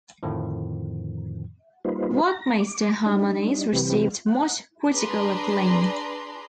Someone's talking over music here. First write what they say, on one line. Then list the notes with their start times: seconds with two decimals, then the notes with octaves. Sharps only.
"Werckmeister Harmonies" received much critical acclaim.
0.23 F2 A2 D3 D#3 F3
1.85 G3 A#3 D#4 F4 B4 C5
2.26 A#5 A#6
2.59 D6
3.06 G3 D4 D#4
3.73 C3 E3 G3 C4 G4 B4
4.26 F#5
4.92 D4 G#4 B4 A#5 C6